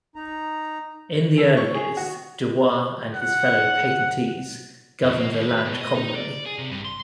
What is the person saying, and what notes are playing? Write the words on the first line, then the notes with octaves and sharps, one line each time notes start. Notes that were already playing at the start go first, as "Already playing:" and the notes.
In the early years, DuBois and his fellow patentees governed the land communally.
D#4 A#5
A4
C#6
G#4
F#4
F#5
F2
A#3
D#2
B4
B2
D#5
D#4
D5
G#4
C3
G2
C6